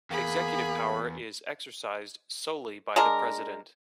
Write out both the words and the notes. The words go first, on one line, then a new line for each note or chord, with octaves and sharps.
Executive power is exercised solely by the President.
E2 A#3 G#4 B5
G#3 D4 A#4